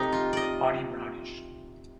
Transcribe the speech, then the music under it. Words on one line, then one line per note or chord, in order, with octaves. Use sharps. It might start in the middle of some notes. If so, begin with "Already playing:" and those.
Body brownish.
Already playing: C3 F3 A3 D#4 G4
F4
D5 D#5